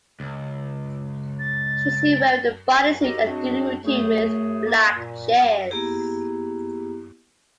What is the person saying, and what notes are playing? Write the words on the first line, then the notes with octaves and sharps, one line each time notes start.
She is seen wearing a bodysuit and doing a routine with black chairs.
C#2
A6
C#4 D#4 F#4 G4 A4 A#4
F#3 G#3 C4 D4 F#4 G#4
F#2 A3 G#4
A#3
A#2
A#3 B3 E4 G4 G#4